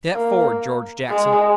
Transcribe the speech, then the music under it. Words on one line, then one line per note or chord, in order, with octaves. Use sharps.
Step forward, George Jackson.
A#3
G#3